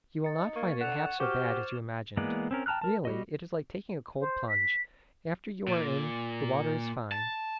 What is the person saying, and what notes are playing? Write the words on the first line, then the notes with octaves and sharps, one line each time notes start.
You will not find it half so bad as you imagined; really, it is like taking a cold plunge: after you are in, the water is fine.
D#4 A6 C#7
A#3 C#6 G#6 C#7
D3 F#5 E7 F7
F#4 G4 C5 D6 F6
E3 G#3 A#3 B3 D5
C4 C#4 A#4
G5 A5 A#5 F6 F#6
A#4 A5
G3 F#4 D#5
C5
B6
A#2
A5